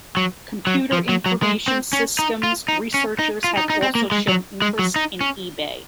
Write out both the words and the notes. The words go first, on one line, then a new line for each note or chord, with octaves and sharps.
Computer information systems researchers have also shown interest in eBay.
F#3
F#3
F3
F#3
F#3
G#3
C4
C#4
D#4
F4
D#4
C#4
D#4
F4
D#4
D#4
C4
A#3
G#3
F#3
G#3
F#3
D#4
C#4